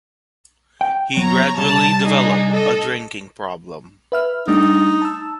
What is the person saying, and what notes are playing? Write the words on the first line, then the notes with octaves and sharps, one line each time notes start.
He gradually developed a drinking problem.
G5
F2 F#3 B3 C#5 A#5
C2 G3 A5 A#5
D4 D#4 G#4
A4 D#5
B4 E5 F6
G3 A3 D4 D#4
A5 E6